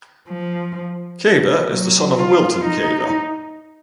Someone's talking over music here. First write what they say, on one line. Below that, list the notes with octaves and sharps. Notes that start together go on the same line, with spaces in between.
Caver is the son of Wilton Caver.
F3
F#3
F4
D#4